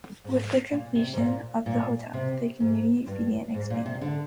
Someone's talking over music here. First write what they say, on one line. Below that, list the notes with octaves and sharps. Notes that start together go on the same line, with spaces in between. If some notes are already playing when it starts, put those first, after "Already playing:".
With the completion of the hotel, the community began expanding.
G#2
A#2
C3
G#2
A#2
A#2
C3
G#2
G2
G#2
A#2
C3
D3